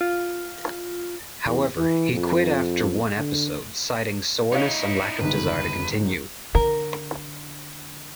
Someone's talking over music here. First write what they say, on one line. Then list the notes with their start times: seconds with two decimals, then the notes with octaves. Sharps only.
However, he quit after one episode, citing soreness and lack of desire to continue.
0.01 F4
1.45 E2
1.77 E3
2.11 F2
3.18 D3
4.52 D#4 E4 C#5 D#5 F5
5.21 G1 C#2 D#3 B4
6.55 D3 A#4